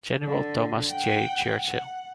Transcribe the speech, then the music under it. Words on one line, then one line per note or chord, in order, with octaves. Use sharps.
General Thomas J. Churchill.
D3
F#5 G5
F#5